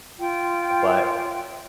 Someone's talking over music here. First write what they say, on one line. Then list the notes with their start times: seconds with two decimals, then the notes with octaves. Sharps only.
Uh, but,
0.20 F4 G5